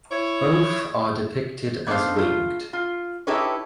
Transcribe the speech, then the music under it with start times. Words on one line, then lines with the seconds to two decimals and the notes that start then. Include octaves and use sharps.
Both are depicted as winged.
0.10 E4 C#5
1.87 B3 D4 D#4 A4 C5 F5
2.16 A3 F4
2.73 F4
3.27 D#4 E4 G4 A4 B4 C#5